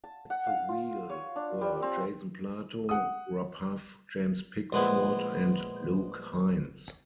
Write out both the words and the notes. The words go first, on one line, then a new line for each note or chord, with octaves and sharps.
At the wheel were Jason Plato, Rob Huff, James Pickford and Luke Hines.
A5
F#5
F5
F4
C#5
D4
G3
C4
F#5 D#6
A#1 G#3 B3 E4